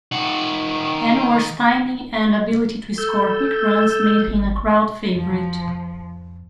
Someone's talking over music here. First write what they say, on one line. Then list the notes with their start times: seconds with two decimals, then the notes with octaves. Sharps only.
Anwar's timing and ability to score quick runs made him a crowd favourite.
0.12 D#3 F#5
2.98 A4 E6 G6
4.27 G#1
5.15 F2 F3